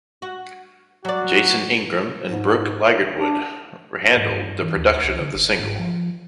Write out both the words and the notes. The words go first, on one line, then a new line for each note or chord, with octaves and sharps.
Jason Ingram and Brooke Ligertwood handled the production of the single.
F#4
F#3 F#4 D5
G#2
D4
G#2
G2
E3
D#2
C2
D3
G1
G#2
F3